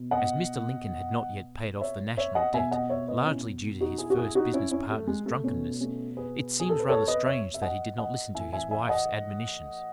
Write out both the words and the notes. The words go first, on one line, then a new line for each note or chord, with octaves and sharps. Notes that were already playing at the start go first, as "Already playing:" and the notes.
As Mr. Lincoln had not yet paid off "the national debt" largely due to his first business partner's drunkenness, it seems rather strange that he did not listen to his wife's admonitions.
Already playing: B2
D#5 F#5
C#5 E5
C#5 E5
D#5 F#5
B2 E5 G#5
D#5 F#5
C#5 E5
B4 D#5
C#4 E4
D#4 F#4
E4 G#4
F#4
E4 G#4
D#4 F#4
C#4 E4
C#4 E4
A3
G#3
A3
B2 A3 C#4
A3 C#4
G#4 B4
G#4
A4
B4
A4 C#5
B4 D#5
C#5 E5
E5
D#5 F#5
D#5 F#5
A2 E3 E5 G#5
E5 G#5
E5 G#5
D#5 F#5